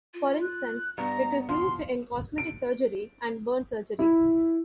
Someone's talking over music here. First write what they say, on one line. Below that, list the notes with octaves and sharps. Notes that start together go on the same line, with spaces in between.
For instance, it is used in cosmetic surgery and burn surgery.
F4
F#6
G2 B3 A#5
F3 C6
D7
E4